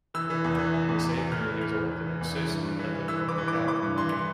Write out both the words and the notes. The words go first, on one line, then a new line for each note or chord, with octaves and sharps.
In the same year he was elected an associate of the Royal Academy.
E3 E6
E3
E2
E3
E3
E2
E2
E2
E3 F6
E3
E3 F6
E2
E3
E3
E2
E3
G2
G2
E3
E3
E3 E6
E3
D6
E3
D6
E3
E3 D6
G2
E3 C6
E3